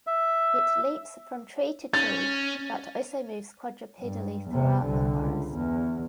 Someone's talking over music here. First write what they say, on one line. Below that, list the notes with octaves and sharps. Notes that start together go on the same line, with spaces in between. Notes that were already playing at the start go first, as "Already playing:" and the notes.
It leaps from tree to tree but also moves quadrupedally throughout the forest.
E5
C#4 A6
G2
E2 C3
C2 D3
C#2
E2